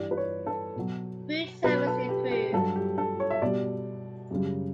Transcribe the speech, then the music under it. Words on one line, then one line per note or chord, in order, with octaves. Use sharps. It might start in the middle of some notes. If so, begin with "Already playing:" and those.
Food service improved.
Already playing: G2 E3 G3 D5
B4
C#5
A4
B2 F#3
B2 F#3 B4
A4
G4
G4
G2 F#3 A4
G4
A4
C#5
E5
B2 G3 D5
F#2 C#3 G3